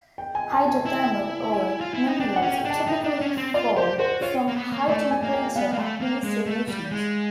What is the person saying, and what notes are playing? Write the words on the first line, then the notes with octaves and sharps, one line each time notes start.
Hydrothermal ore minerals typically form from high temperature aqueous solutions.
G5
G#5
A5
G#5
E4
G#5
F4
E4
D#4
D4 G5
F#5
C#4
G5
D4
A5
D#4 G5
D4
C#4
C4
F4 D5
G4 C5
F#4 C5
F4 C#5
A#3
B3
A#3
A3 D5
G#5
A#3
G5
B3 F5
A#3
A3
A#3
G#3
A3
G3
G#3